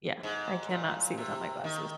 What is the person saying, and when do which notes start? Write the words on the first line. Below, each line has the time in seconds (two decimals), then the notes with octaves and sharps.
yeah. I cannot see without my glasses.
0.23 G#2
0.70 A#2
1.18 C3
1.64 D#3